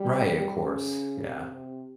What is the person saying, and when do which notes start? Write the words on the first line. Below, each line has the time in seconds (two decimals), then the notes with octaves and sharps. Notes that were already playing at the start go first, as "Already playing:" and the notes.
Right, of course, yeah,
Already playing: G3
0.36 G3
0.65 C#3
1.23 C3
1.52 C3